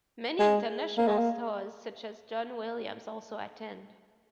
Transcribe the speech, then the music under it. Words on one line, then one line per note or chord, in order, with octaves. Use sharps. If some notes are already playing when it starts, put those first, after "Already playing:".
Many international stars, such as John Williams, also attend.
G#3
A#3
G#3
A#3